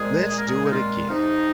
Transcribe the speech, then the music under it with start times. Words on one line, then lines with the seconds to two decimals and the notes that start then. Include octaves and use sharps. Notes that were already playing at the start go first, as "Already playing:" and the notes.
"Let's do it again."
Already playing: A#2 G#3 C4 G#4
0.29 A#2 G#3 C4 G#4
0.38 A#4
0.47 G#4
0.64 D#4
0.70 F4
1.09 F2 C3 F3 C4 D#4